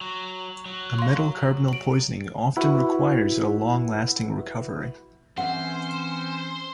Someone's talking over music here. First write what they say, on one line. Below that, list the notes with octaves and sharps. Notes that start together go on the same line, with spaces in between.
A metal carbonyl poisoning often requires a long-lasting recovery.
F#3
F#3
F5 C6
D7 F#7
E4 F#4 B4
E3 C4 C#4 C5 E5 F#5